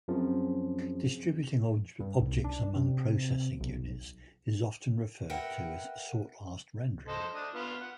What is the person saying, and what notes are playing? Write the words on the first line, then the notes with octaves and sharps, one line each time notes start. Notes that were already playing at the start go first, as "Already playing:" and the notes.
Distributing objects among processing units is often referred to as sort last rendering.
F#2 F3 C4 F4 G#4
G2
C2
D4
C3
B1
A#4 B4 E5 F#5 G5
A4 C5 D#5
D4 D#6
B3 F4
F#5